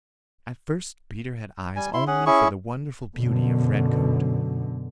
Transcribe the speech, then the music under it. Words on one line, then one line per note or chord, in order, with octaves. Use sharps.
At first Peter had eyes only for the wonderful beauty of Redcoat.
G3 G#5
E4 C6
C#4 G#4 F#5
C#4 E4 G#4 C#6
F#2 B2 D3